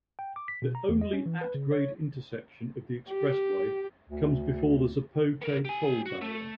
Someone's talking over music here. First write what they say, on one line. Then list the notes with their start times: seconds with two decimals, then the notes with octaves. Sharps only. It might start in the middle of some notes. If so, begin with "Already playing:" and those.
The only at-grade intersection of the expressway comes before the Zapote toll barrier.
0.19 G5
0.36 D6
0.48 B6
0.62 B2
0.75 A#5
0.89 E2
1.01 D#5
1.13 C#4
1.26 E3
1.41 B4
1.54 C#3
1.72 C#5
3.10 G4
4.10 D2
5.42 B3 A#4
5.65 G4 G#5
6.06 F#4
6.22 A3